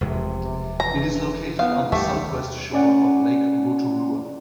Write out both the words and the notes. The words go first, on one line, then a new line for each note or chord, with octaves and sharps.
It is located on the southwest shore of Lake Rotorua.
F1 E2 C3 G#3
E3 A#5
B3 F5
D#2 G3 A3 G4
C#4 D5 F#5